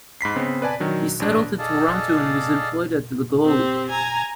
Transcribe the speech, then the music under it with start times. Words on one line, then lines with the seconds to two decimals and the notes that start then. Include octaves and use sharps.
He settled in Toronto and was employed at "The Globe".
0.21 G#2 B5 B6 C7
0.36 C#3 B3 C4
0.62 B4 D5 G#5 A5
0.80 D#3 F#3 D4
1.20 A1 D4
1.59 G#4 A4 D5 D#5 F5 A5
3.46 C4 G4
3.89 G#5 A#5